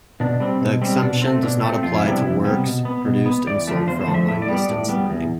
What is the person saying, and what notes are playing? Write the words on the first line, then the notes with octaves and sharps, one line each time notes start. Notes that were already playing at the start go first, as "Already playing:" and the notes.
The exemption does not apply to works produced and sold for online distance learning.
B2 D4
G3 C4
B2
G3 C4
B2 D4
A3 C4
B2 D4
A3 C4
F2 F4
E4
C3 G3 B3 D4
E4
F2
C3 G3 B3
B2
B3
B2
B3
E2 D5
D3 F3 A3
E2 C5
C5
D3 F3 A3
E5
A2 E5
D5
G3 B3
D5
A2
G3 B3
E2